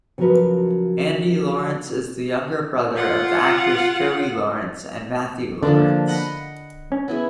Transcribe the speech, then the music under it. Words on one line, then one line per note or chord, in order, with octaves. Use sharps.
Andy Lawrence is the younger brother of the actors Joey Lawrence and Matthew Lawrence.
C#3 F3 F#3 F#4 A#4 B4
F4 F#5
D3 F3 A#3 D4
D#5 F#5 B5
C#4
B3 E4 G#4